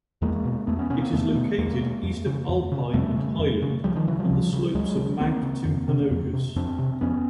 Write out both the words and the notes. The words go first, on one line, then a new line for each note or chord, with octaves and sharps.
It is located east of Alpine and Highland on the slopes of Mount Timpanogos.
E2 G#3 A#3
B2
E2 A3 B3
B3 C#4
B2 B3 C#4
A#3 C4
E2 A3 B3
B2
E2 G#3 A#3
B2
F2
C#3
F2
C#3
F2 G3 A3
C#3
F2
C#3
C#2 F3 G3
D#3 F3
C#3 E3 F#3
F3 G3
C#2
C#3
C#2 F#3 G#3
C#3
C#2 A#3 C4
C#3
F2
C3
F2
C3
F2 C4 D4
C3
F2 B3 C#4